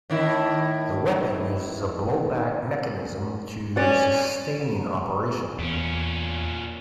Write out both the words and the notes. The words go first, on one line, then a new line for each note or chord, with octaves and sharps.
The weapon uses a blowback mechanism to sustain operation.
A2 D#3 E4
C#4 D5 F#5
E2 A#2 C#4